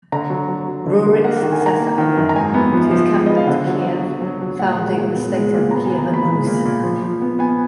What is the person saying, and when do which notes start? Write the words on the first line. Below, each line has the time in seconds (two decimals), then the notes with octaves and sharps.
Rurik's successor Oleg moved his capital to Kiev, founding the state of Kievan Rus'.
0.12 D3 A#5
0.30 F#3
0.49 F#3
0.68 F#3
0.86 D3
1.06 A#3
1.24 A#3 F#5
1.37 F#5
1.43 D#3
1.52 G#5
1.62 A#3 A#5
1.80 A#3
1.98 D#3
2.17 F#2
2.29 A#5
2.36 G#2 G#5
2.54 B3
2.73 F3
2.91 F3
3.10 G#3
3.26 B3 D#5
3.37 F5
3.47 D3 F#5
3.67 F#3
3.86 F#3
4.04 F#3
4.22 F#3
4.42 F#3
4.59 A#2 F#5
4.78 G#3
4.97 A#2
5.16 B3
5.34 G#3
5.54 A#2
5.71 B3 A#5
5.86 B3 G#5
5.99 A#5
6.09 A#2 B5
6.28 G#3
6.47 A#2
6.65 A#2
6.83 F3
7.02 F3
7.21 B3
7.39 B3 G#5